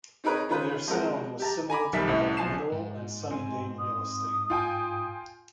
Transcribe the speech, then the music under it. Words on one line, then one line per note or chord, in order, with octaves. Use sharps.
Their sound was similar to that of Mineral and Sunny Day Real Estate.
C4 D#4 G#4 A#4 B4 C#5
D#3 C#4 F4 B4 C5
F3 G#3 C4 A#4 F#5
G4 A5 A#5
G#5 A#5 B5 D6
B1 F2 D#3 G3 E5 B6
C2 A2 C#4
B1 F3 G#5 A5 C7 E7
G#2
C4 G#5
D#6
F4 G5 G#5